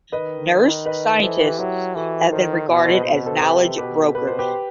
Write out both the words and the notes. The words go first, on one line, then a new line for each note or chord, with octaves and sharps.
Nurse scientists have been regarded as knowledge brokers.
D#3 B4 D#5
B4 D#5
D#5
E3 A4 C5
G4 B4
F#3 E4 G4
E3 F#4 A4
D#3 A4 C5
B2
D#5
C5
B4 D#5
B2 C5
B4
A4 C5
C3 G4 B4
B2 G4 B4
B2 B4
C5
G4 B4